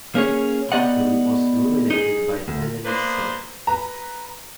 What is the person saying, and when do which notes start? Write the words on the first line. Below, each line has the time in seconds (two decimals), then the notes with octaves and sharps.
"Tarpon" was illuminated by the enemy's searchlight.
0.15 A#3 C#4 G#4 C#5
0.72 B3 G4 D5 D#5 F#5
1.90 D#4 G#4
2.48 D2
2.85 A#3 B3 D4 B4 C5
3.67 B4 A#5